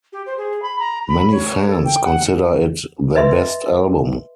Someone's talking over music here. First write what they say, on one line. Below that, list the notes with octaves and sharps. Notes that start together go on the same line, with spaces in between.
Many fans consider it their best album.
G4
C5
G#4
B5
A#5
B5
C#5
A4
G5
F#5
B4 D#5 E5 C6